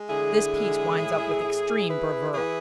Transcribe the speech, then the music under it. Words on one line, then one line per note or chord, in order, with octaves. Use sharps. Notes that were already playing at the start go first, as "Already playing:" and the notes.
This piece winds up with extreme bravura.
Already playing: G#3
D3 E4 G#4
G#3
A2
E4
E4 G#4 B4
E3 G#4 B4